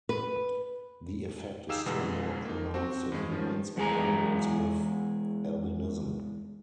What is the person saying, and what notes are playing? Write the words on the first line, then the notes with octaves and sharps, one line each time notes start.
The effect is still more pronounced in humans and animals with albinism.
B4
D#4 G4 G#4 F5 E6 E7
E2 B2 D3 G#3 B3
A#3 D#4
C4 F#4 G4
G2 G#3
D#3 F3 C#4
E2 G#3 G#4 A#5